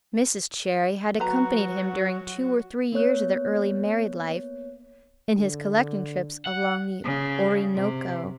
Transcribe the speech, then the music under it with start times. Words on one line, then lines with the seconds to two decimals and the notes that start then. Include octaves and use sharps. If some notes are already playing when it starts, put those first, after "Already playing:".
Mrs. Cherrie had accompanied him during two or three years of their early married life in his collecting trips along the Orinoco.
1.20 F#3 F#4 B4 A#5
2.92 A#3 B3 C#5 F#6
5.38 D3
6.46 F#5
7.04 C#3
7.74 C3